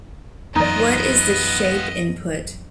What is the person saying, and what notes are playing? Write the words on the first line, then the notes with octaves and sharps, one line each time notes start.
What is the shape input?
F#2 E3 B3 D#4 F4 D5 D#5